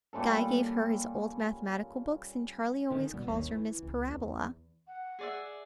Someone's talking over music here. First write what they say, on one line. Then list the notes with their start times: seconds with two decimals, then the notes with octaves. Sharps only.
Guy gave her his old mathematical books, and Charlie always calls her Miss Parabola.'
0.13 A#2 G3 C#4 A4
2.90 D3 D#3 C#4
3.14 B2 G3 B3
3.27 G1 D#2
3.51 E3
3.82 C#2
4.07 E2
4.87 F#5
5.19 G#4 D5 E5